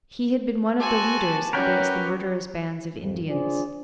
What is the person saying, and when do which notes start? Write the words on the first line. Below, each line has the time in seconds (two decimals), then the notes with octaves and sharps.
He had been one of the leaders against the murderous bands of Indians.
0.79 C4 F#4 G4 G#5 A5
1.53 C#4 F#4 A#4 B4 C#5 D5 G5
2.97 G#1 F2
3.28 D4 F4 G#4 C5 D5